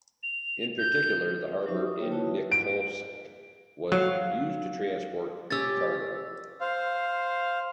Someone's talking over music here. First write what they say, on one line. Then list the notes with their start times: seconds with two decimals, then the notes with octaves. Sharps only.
In particular, the harbor in Nikolsk was used to transport cargo.
0.23 F7
0.78 G6
1.66 F#3 D#4 G4 C5 E5 C#6
1.81 D#6
1.99 A#3 D#4 F4 C#5 G5
2.11 E4 F#4 B4 C#5 A5
2.26 E5
2.52 D7
3.92 F#3 F5
5.51 C#4 G4 E6 A6
6.61 C5 F5